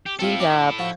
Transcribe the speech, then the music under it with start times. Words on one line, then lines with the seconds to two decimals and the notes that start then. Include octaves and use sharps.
dig up
0.06 G4
0.19 C4 E4 F4 A4
0.40 G4 D5 D#5
0.79 F3 F#4